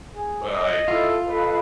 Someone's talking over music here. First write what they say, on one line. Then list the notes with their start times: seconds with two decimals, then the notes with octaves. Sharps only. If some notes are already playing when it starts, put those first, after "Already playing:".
but like
0.15 G#4
0.50 D#5
0.88 E4 F4 A4
1.27 A4 B4 D#5